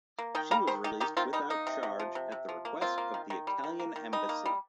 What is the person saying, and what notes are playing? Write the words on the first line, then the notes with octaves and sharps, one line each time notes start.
She was released without charge at the request of the Italian embassy.
A#3
D#3 D#5 G5
G3 F5 A#5
D#3 G4 C5
D#3 D#4 G4
D#3 D#4 G4
D#3 C4 F4
G3 D#4
A#3 D#4
C3
C3
F3
C3
C3
F3
A#3
A#3 C4 F4
A#3
D#3
D#3
G3
D#3
A#3
D#3
G3 D#4
A#3
G3